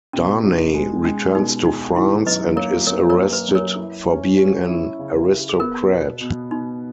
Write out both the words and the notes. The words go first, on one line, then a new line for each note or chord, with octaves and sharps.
Darnay returns to France and is arrested for being an aristocrat.
B2 C#4
D#4
G#3
G#3 C#4
B2 D#4
G#3 D#4
D#3 E4
F#2 B4 D#5
A#3 A#4 C#5
F#2 A#4 C#5
A#4 C#5
A#3
B4
F#2
A#4 C#5
E4
C#4
C#4
E4
C#3
E4
G#4
B3 A#4
B2
B2
B2 D#4